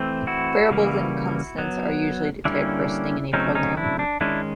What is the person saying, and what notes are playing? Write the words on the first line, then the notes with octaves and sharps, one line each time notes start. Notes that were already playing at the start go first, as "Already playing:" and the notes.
Variables and constants are usually declared first thing in a program.
Already playing: E3 A3 C4
E4 F#4
C#3 E3 G3 A#3
F#3 B3
D3 G3 A#3 C#4 D4 E4
C#3 F#3 A3 C4 C#4 D#4
C#4 D#4
D4 E4
D4
D#3 G#3 C#4 D4 E4